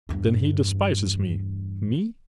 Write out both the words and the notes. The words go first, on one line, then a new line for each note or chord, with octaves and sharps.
"Then he despises me, me?"
E2 G2